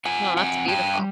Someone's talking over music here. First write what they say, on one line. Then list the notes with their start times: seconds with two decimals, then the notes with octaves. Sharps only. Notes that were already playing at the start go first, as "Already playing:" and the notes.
Well, that's beautiful.
0.05 F4 F#5 G#5
0.37 C4 F#5 G#5
0.68 G3 G5 A5